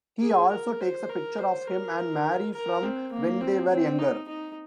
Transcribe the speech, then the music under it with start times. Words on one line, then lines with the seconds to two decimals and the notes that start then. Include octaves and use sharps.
He also takes a picture of him and Marie from when they were younger.
0.22 G#4
0.52 A#4
0.81 C5
1.09 A#4
1.39 C5
1.67 A#4
2.54 A#4
2.83 C4
3.12 A#3
3.41 C4
3.70 C4
3.99 D#4
4.28 D#4